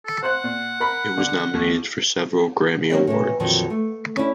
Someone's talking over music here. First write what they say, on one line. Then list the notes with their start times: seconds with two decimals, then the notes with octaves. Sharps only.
It was nominated for several Grammy Awards.
0.06 A4
0.23 C5 F#5 F#6
0.44 A#2
0.80 A#4 B5
1.17 D3
1.54 D#2
2.90 F#3 A#3 C4 C#4 A#4 D#5
3.07 A2 E3
3.40 F2 A#2 D3 D#3 F3 F#3
3.70 A3
4.17 C#4 D4 E4